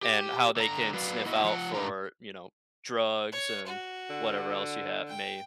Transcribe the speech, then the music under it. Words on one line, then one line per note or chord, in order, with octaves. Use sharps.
and how they can sniff out for, you know, drugs and whatever else you have may
G4
D3 A#5
F#3 B4 D5 F5
A#3 E4 F#4 D#5 E5
F3 F#5
G#2 E3 D4 D#4 A#4 A#5
C#5
F#4
D3
G5